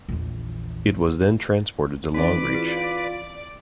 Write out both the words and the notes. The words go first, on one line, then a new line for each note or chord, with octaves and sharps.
It was then transported to Longreach.
A#1 E2
E3 C4 D#4 B4 D5
E4 F4 G#4